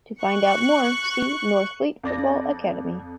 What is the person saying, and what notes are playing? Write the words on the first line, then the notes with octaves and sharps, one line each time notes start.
To find out more see Northfleet Football Academy.
C#6 F#6 C#7
F2 D5 A#6